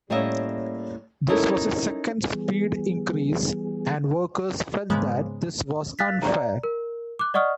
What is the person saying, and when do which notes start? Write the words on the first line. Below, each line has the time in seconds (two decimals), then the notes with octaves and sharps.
This was a second speed increase, and workers felt that this was unfair.
0.10 A2 G3 A#3 C#4 D#5 E5
1.28 C#4 D#4 E4 A4 A#4
2.34 E3 G3 B3 G#4
4.90 G#2 C#3 G#3 A#3 B3
5.99 F5 F#6 A6 B6
6.22 D5 A#5
6.63 A#4
7.19 D6 F#6
7.34 D5 D#5 F#5 C#6 D#6 F6